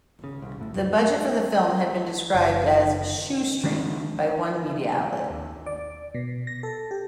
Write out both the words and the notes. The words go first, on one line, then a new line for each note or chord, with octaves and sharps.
The budget for the film had been described as "shoestring" by one media outlet.
C#3
C2
A2
F2
A3
F#1
D#3 F3 G#3 D4
D#2
D5
B2
A#6
A4
G4